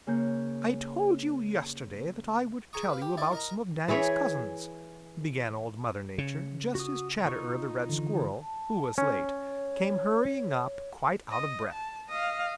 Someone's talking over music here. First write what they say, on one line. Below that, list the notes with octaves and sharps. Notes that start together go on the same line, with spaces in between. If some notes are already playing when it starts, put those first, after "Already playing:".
"I told you yesterday that I would tell you about some of Danny's cousins," began Old Mother Nature just as Chatterer the Red Squirrel, who was late, came hurrying up quite out of breath.
C#3 A#3 C#5 G6
G#4 A#5 C#6 D#6
B4 F5
G4
E4 D5 D#5
A#4 D#5 A#5
E3 E4 G#4 C#5
C#3
F#4 D#6
D#4 F4 C#6
D3 E3
A5
C#4 C#5
D#5
A5
D#5 F5